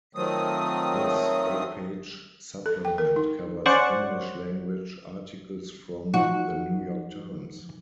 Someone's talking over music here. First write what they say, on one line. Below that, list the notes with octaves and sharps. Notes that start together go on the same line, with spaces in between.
This eight-page supplement covers English-language articles from "The New York Times".
D#3 F3 F#3 A3 C4 D#6
A4
G5
A#4
D#4
C#4 C5 D5 F#5 C#6
F3 D#4 F#4